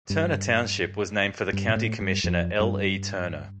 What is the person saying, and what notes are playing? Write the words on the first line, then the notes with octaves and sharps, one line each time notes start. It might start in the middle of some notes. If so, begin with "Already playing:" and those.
Turner Township was named for county commissioner L. E. Turner.
G2
G2
A#2
A2
G2
F2
G2